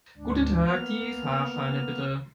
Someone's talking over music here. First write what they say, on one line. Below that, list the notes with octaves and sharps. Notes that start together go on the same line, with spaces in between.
Guten Tag, die Fahrscheine bitte.
D2 G#2 D4
A#3 B3 F6